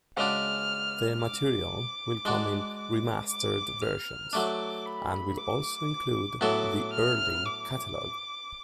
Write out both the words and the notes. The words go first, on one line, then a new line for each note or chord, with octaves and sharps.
The material will come in remastered versions and will also include the early catalogue.
C#3 G#3 D4 F#4 F6
D6
G#3 D4 F#4
D6
D6
F6
F#3 A3 D4 D6
B5
D6
A2 F#3 B3 F#4 A4 D6
F6
D6